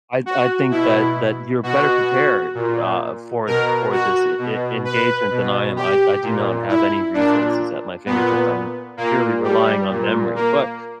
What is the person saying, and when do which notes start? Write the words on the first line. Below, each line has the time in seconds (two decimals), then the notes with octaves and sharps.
I I think that that you're better prepared, uh, for for this e engagement than I am. I I do not have any resources at my fingertips. I'm purely relying on memory. But
0.26 F#4
0.71 B2 E4
1.63 B2 F#4
2.55 A#2
3.47 B2 A#4
3.92 F#4
4.39 B2
4.85 B4
5.31 B2
5.76 G4
6.22 A#2
6.68 E4
7.14 A#2 D4
8.06 A#2 B3
8.97 A#2 A#3
9.43 G3
9.89 A#2
10.36 A#3